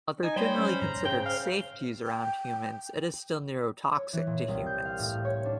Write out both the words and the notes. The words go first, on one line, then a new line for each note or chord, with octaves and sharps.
Although generally considered safe to use around humans, it is still neurotoxic to humans.
D#4 G#5
G3 C5 C#5 G5 B5
F#3 C#4
G#2 A#5
C#3 C5 G5
F5
G5
C#5
E3
A#2
C2
G6
F5
A2
C#5
D4